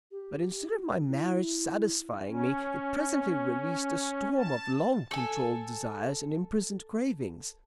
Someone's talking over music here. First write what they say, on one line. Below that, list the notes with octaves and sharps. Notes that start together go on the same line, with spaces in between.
But instead of my marriage satisfying me, it presently released a storm of long-controlled desires and imprisoned cravings.
G4
E4
C#4
A5
A4 G#5